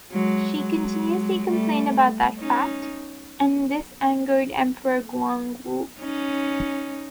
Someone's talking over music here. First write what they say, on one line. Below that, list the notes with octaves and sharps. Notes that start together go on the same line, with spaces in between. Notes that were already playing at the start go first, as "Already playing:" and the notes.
She continuously complained about that fact, and this angered Emperor Guangwu.
F#3 G#3
F#3 G#3
G3 A3
C#4 D#4
C#4 D#4